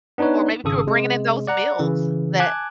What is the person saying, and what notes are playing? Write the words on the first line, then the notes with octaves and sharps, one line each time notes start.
Or maybe if you were bringing in those meals that
B3 D4 D#4 B4 C#5
G#1 C#3 A4 D#6
C3 G#3
D5 F#5 A#5
C#3 E3
G#5 A5 D6 F#6 G#6